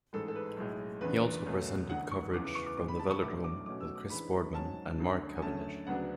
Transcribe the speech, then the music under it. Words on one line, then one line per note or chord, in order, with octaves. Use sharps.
He also presented coverage from the Velodrome with Chris Boardman and Mark Cavendish.
A1 G#2 G#3 A4
A4
B4
B1 A2 G#3
E2 C#3 E3 B3 D4 B4
C#2 B2 A3 C#4
E1 D2 D3 F#5
C#6
E2 C#3 E3 B3 D6
D6
C#6
D6
A1 G#2 G#3 D6
B5
A5
C#6
B1 A2 F#3 A3 D4 D6
D6
B1 B2 A3 C#4 D6
E6
D6
G#2 E3 G#3 D4 B5
G#2 F#3 C#4 A5
D2 D3 F#3 A3 D4
G#5
F#2 D3 A3 C#4 A5
D2 C#3 F#3 B3 D4 F#5